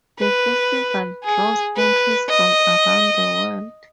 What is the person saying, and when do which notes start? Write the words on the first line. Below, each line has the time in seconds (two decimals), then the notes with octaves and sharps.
The festival draws entries from around the world.
0.20 B4
1.24 G#4
1.77 B4
2.29 D#5